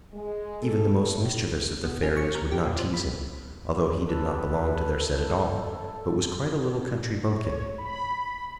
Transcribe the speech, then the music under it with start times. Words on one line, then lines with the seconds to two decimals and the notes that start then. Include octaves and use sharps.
Even the most mischievous of the fairies would not tease him, although he did not belong to their set at all, but was quite a little country bumpkin.
0.14 G#3
0.63 A4
1.04 A2
1.84 B2
2.03 C#4
2.17 C#6
2.35 A#4
2.51 G4
2.67 A#2
2.79 F3
2.94 B5
4.07 A4 B4
7.34 C#5
7.78 B5